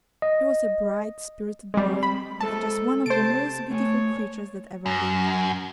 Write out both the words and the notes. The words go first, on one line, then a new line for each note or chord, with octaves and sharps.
He was a bright, spirited boy, and just one of the most beautiful creatures that ever lived.
D#5
G3 G#3 C4 C6
B5
G#3 A4 C5 E5 A5
C3 C5 A5 D7
A3 C#5 G5 G#5
F#2